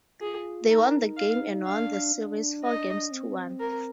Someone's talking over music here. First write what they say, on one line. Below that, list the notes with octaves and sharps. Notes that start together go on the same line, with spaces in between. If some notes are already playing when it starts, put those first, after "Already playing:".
They won the game and won the series four games to one.
F4 G#4
D#4 A#4
F5
D4 F5
D4
D#5
C4
A#4